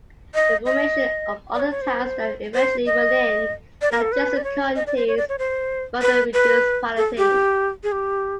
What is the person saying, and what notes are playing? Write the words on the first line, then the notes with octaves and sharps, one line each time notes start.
The formation of other towns that eventually were in adjacent counties further reduced Palatine.
D#5
D#5
D5
C#5
C#5
C5
C5
D#5
D5
A#4
A4
B4
D5
C#5
D#5
D5
C5
C#5
D5
C#5
C5
B4
B4
A4
G4
G#4
G4